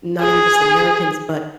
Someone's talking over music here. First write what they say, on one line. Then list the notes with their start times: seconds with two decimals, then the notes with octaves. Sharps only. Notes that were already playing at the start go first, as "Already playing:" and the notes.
not even just Americans, but
0.20 G#4